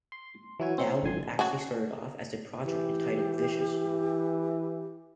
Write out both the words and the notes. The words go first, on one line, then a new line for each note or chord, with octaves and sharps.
The album actually started off as a project entitled "Vicious".
C6
E3 F#3 E4 F#4 G#5
C4 C#4 D#4
G#1 D3 G#5 C6
C#4 D4 F#4
E3 G4